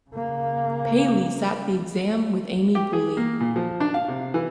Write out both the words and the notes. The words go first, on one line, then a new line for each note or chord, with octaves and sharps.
Paley sat the exam with Amy Bulley.
C#3 A#3
G4
G#4
A#3
A#2
F3
D4
F5
C3
E3